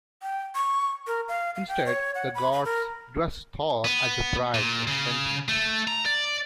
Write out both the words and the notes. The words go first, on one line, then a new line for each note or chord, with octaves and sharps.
Instead, the gods dressed Thor as a bride and sent him.
G5
C#6
A#4
F5
F5
G5
C#5
F#5
B5
B5
A#4
B3
A#2
C#3
A3
A#5
D5